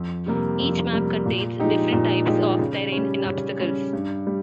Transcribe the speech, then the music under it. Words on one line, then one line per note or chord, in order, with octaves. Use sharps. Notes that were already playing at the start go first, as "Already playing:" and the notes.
Each map contains different types of terrain and obstacles.
Already playing: F2
C3 G3 A#3
F2
C3 G3 A#3
A#2
F3 G#3 D#4 G4
A#2
F3 G#3 D#4 G4
C#3
G3 C#4
C#3
G3 C#4
G2
G3